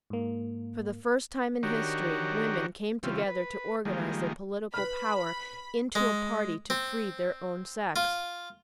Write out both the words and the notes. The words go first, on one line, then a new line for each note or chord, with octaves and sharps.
For the first time in history, women came together to organize their political power into a party to free their own sex.
G#2 A#3
D#3 D4 F#4 G4 A#4 C#5
C#3 E3 G3 C4 F4
B4
D#3 F3 G3 G#3 A#3
B4 B5 F6
G#3
C4
F4